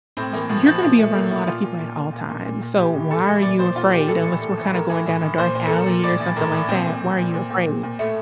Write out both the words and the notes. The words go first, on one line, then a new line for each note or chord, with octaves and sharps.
Y y you're gonna be around a lotta people at all times, so why are you afraid? Unless we're kinda going down a dark alley or something like that, why are you afraid?
A2 C4
E3 A#3
A2 F3
E3 F3
A#2 F3
A#2 A3
A#2 A#3
A#2 E4
A#2 F4
A#2
A#2
A#2
A#2
A#2
A#2
A#2
A2 G4
E3
A2 A4
E3
A#2 D5
A#2 C5
A#2 F4
A#2 G4
A2 A4
E3
A2
E3
A2 A#4
E3
A2
E3
A#2 C5
A#2
A4
A#2 A#4
A#2
A2 D5
E3
A2 A#4
E3
A#2 C4
A#2
A#2
A#2
A#2
A#2
A#2
A#2
A2 A3